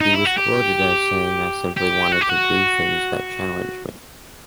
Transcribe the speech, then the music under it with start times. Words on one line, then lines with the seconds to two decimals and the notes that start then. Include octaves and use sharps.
He was quoted as saying I simply wanted to do things that challenge me.
0.01 D#4
0.14 E4
0.26 F#4
0.38 G4
1.77 G4
2.13 F#4
2.21 G4
2.30 F#4